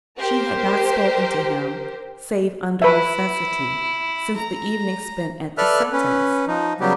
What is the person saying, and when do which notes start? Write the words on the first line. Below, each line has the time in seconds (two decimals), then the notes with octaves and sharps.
She had not spoken to him, save under necessity, since the evening spent at the Suttons'.
0.19 G4 A#4 C5
2.82 E4 B4 E5
4.35 A#5
5.58 A4 B4 D5 E5 F6 F#6
5.93 C#4 B4
6.47 F3 D#4
6.80 C#3 F#3 G3 B3 G4